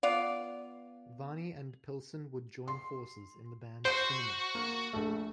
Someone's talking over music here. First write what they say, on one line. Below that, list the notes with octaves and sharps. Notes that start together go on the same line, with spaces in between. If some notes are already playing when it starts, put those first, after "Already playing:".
Varney and Pilson would join forces in the band Cinema.
B3 F4 D5
C6
F#4 C5 G6 D7
A#3
A#1 A3